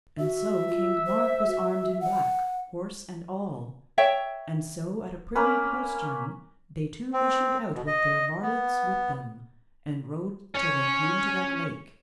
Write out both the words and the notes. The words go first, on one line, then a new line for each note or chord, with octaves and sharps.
And so King Mark was armed in black, horse and all; and so at a privy postern they two issued out with their varlets with them, and rode till they came to that lake.
F#4 E5
F4
C5
F#4
F#5
C#5 E5 G5
A#3 C#4 B4
C4
B2
D#5
B3
C#4 C#5